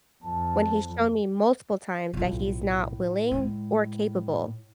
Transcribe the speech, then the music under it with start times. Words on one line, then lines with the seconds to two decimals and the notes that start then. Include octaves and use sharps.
when he's shown me multiple times that he's not willing or capable
0.24 F2 A5
2.13 B1 A2 F4
3.31 G#3